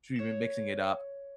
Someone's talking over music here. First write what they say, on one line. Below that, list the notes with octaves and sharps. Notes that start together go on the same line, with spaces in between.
so we've been mixing it up,
C#5 E7